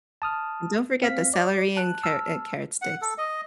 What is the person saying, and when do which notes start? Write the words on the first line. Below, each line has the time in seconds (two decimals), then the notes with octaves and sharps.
And don't forget the celery and car uh, carrot sticks.
0.22 A5 D#6 F6
1.01 C4 F5 B6
1.34 D5
1.77 A5 F#6
2.03 A5 E6 F6
2.82 F#5
3.01 A4
3.18 D#5